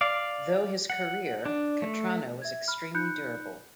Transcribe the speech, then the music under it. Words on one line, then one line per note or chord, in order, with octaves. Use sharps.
Though his career, Cattrano was extremely durable.
D5 F5
F#5
D4
A3
E5 G#6
B5 F6
D#4 B5 F#6 G6 C#7